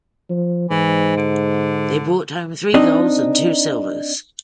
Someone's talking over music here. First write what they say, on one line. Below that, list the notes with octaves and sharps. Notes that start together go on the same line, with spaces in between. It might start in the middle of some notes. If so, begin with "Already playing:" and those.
They brought home three golds and two silvers.
F3
G#2 E3
D3
C4 D4 D#4 D#5